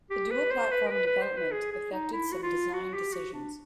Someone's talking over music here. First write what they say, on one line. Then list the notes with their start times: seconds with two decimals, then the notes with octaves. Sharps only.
The dual platform development affected some design decisions.
0.10 G4
0.31 B4
0.51 C5
0.71 B4
0.86 A#4
0.91 B4
1.06 B4
1.22 C5
1.37 B4
1.52 G#4
1.72 G#4
1.92 D#4
2.12 E4
2.32 F#4
2.43 F4
2.73 F#4
2.94 G4
3.14 F#4
3.33 D4